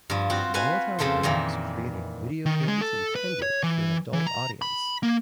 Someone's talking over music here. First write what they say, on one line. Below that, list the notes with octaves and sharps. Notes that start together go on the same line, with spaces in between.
Volatile Games created video games intended for an adult audience.
G2 F3
C4 F4 F#4
F4 F#4 B4 C5 F5 G#5
F2 C#3 F3 A4 C5
F2 A#2 D#3 E3
D#3
G#3
A4
B4
C#5
E3
E3
A#5
B5
A#3